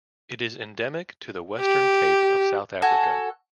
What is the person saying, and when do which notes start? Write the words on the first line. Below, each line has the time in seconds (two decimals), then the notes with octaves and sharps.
It is endemic to the Western Cape of South Africa.
1.61 G4
2.82 F#4 A4 G#5